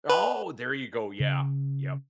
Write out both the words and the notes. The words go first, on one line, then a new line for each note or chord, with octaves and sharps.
Oh, there you go, yeah, yep.
B4
C#3